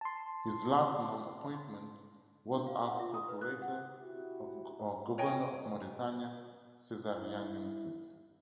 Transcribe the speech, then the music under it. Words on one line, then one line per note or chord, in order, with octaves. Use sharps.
His last known appointment was as procurator or governor of Mauretania Caesariensis.
A5 C6
D4
F5
F#5
F4
D#6
B4
F#6
F#5
E4 F#4 G4
C#5 D#5 G5 G#5
E4